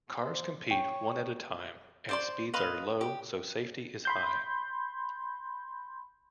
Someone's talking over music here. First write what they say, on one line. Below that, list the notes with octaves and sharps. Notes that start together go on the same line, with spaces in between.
Cars compete one at a time and speeds are low so safety is high.
C5
C#5 G5
C5 D5 C6
B4 D#5 F5 C6
G4
B5 C6 G6